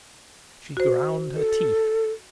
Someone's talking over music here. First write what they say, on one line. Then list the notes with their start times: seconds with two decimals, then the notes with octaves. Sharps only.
She ground her teeth.
0.77 F#4 C5
1.35 A4